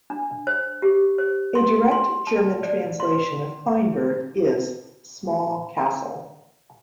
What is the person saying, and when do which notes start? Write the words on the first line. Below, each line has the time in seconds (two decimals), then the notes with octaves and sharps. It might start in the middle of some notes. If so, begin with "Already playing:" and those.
A direct German translation of Kleinburg is "small castle".
0.10 D4
0.47 C5
0.82 G4
1.18 C5
1.55 C6
1.91 C6
2.27 A5
2.63 D5
3.00 C6